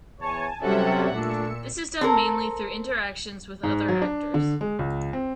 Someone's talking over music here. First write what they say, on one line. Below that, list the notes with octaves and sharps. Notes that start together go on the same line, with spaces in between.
This is done mainly through interaction with other actors.
E2 C#5 G#5 A5
C3 F#3 G3 C#4 A4 E5 F#5
A#2 A3 D4 E6 C#7
C4 A4 A#4
G#2
F#3
D4
D3
G#3
C#2
C4